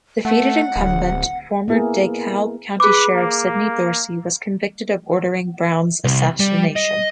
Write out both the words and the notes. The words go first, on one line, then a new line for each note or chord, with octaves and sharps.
Defeated incumbent, former DeKalb County Sheriff Sidney Dorsey, was convicted of ordering Brown's assassination.
A3 F#5
D1
A#3 B3 E4 G#4 A#4
G#4 B4 D6
A#3
C2
G3
D#5